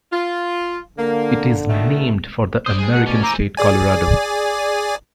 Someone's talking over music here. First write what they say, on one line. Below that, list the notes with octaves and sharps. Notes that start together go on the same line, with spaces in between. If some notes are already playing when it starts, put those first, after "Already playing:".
It is named for the American state, Colorado.
F4
D3 A#3
B2 D#3 A3
C5 D5 D#6 G6
G3 G#3 G#4 C5
B2 A3 A#4 F#5
C#4 D5
E4 C5 G#5 A#5 D6
G#4 D5 G#5